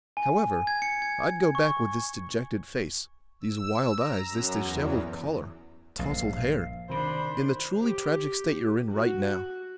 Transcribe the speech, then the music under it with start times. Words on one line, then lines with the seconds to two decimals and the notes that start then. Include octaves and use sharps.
However, I'd go back with this dejected face, these wild eyes, this disheveled collar, tousled hair--in the truly tragic state you're in right now.
0.17 G#5
0.67 G#6
0.82 C#7
1.02 G#6
1.55 C#6
3.40 E6
3.96 A#5
4.27 F#2
4.58 E2
5.99 A#1 G2 F5
6.90 C3 D#3 D4 C5 B5
7.79 G4
8.92 F#4